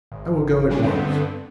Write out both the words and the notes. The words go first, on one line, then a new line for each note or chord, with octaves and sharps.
I will go at once.
G#1
C#3 G3 C#4 D4
G2 D3 B3 C4